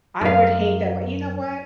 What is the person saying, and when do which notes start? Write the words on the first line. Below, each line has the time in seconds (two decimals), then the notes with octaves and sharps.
I would hate that, but you know what?
0.21 F#2 F5